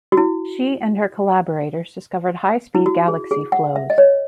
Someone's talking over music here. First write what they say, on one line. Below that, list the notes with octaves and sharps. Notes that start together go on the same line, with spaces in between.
She and her collaborators discovered high-speed galaxy flows.
F#4
E4
E4
F#4
G#4
G#4
F#5
E5
D#5
C#5